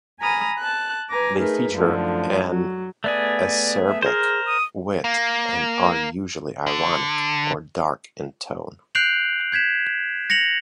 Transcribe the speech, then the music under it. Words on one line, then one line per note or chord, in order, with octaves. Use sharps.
They feature an acerbic wit and are usually ironic or dark in tone.
G#5 A#5 B5 D#6 F6
A5 F#6
B4 G#5 A#5 D6 A#6
A3 D#4 G#4 A#4 B4
F#2 A2 D3 F3
F#3
A3 B3 G#4 D5
E5
G#4 A#4 C5
D#6
A#3
D3
F#6 G6 C7 D7 F7 F#7
G6 G#6 B6 E7
A#6 C#7 F7 F#7